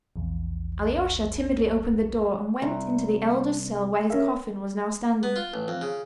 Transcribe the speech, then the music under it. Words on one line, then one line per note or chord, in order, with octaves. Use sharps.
Alyosha timidly opened the door and went into the elder's cell where his coffin was now standing.
A#1 E2
C2
C#4 A#4 E5
B3
F4
A1
F2
C#3